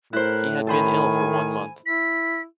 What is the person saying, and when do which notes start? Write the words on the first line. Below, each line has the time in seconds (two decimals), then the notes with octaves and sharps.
He had been ill for one month.
0.13 A2 E4 A#4 C5 F#6
0.67 D#3 A4 C5 G#5 B5
1.86 E4 B6